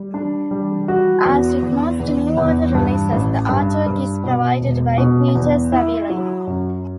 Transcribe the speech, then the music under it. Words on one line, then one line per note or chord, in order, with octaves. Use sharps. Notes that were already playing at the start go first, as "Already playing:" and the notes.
As with most New Order releases, the artwork is provided by Peter Saville.
Already playing: G3
D4
G3
F#4
E2
E2
E2
E2
G2
A1
G2
G2
B2
E1
B2
E2
E4
F#3
F#2